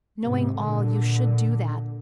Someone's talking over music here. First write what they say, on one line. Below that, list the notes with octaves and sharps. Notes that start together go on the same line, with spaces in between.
Knowing all, you should do that.
G#2 C3
A#2 D3